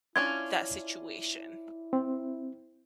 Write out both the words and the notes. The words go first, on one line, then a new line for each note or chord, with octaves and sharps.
that situation?
C#4 D4 E4 F4 G#6
C4